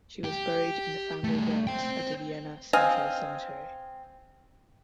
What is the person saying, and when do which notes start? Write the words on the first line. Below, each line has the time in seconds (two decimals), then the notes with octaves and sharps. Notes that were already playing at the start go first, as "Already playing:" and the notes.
She was buried in the family vault at the Vienna Central Cemetery.
0.24 G4
1.24 G3 A3
1.67 C5 G5
2.73 C4 D#5 F5 G#5